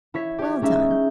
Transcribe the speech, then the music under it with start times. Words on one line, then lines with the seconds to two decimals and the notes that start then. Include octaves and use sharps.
Well done.
0.14 E4 C#5 B6
0.38 G4 C#5
0.61 G#3 C#4 D#4 E5
0.90 G6